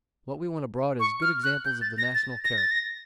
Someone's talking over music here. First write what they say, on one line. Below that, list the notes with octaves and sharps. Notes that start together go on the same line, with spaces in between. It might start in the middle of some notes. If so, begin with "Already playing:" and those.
What we want abroad is good examples of the national character.
C#6
F6
F#6
G6
A6
A#6
A6
A#6
A6
A#6